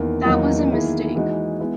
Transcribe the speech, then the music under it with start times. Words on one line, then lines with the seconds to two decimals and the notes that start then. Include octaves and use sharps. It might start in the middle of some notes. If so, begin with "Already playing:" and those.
That was a mistake.
Already playing: E2 D#3 A#3
0.25 E2 D#3 F#3 A#3 D#4
0.70 E2 D#3 A#3 E4 G#4
1.15 E3 G#3 D#4 F#4
1.60 G#3 B3 E4